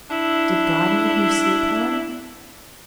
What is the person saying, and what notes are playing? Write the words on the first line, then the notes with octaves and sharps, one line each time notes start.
"Did God make me sleep, Helen?"
D4 E4